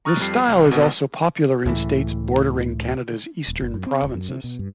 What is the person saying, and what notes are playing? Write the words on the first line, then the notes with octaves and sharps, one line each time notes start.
This style is also popular in states bordering Canada's Eastern provinces.
A#5 C#6 D#6 F6 F#6 A6
F2 G3 C7
C2
G#1 B2 B3 F#5
C#2 A2 E3
D#1
G1
F#2
C4
E1
F#2
C3
B2
G2